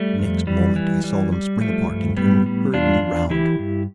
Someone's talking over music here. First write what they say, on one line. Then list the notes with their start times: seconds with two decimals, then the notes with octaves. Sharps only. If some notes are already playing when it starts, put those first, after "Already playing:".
Next moment I saw them spring apart and turn hurriedly round.
Already playing: G3 A3
0.19 F2
0.47 E3 G3
0.76 E3
1.04 G3
1.33 G3
1.61 F3 A3
1.89 G2
2.17 A2 G3 B3
2.46 G3
2.74 E2 D4 F4
3.02 E2
3.30 E3 E4 G4
3.59 G2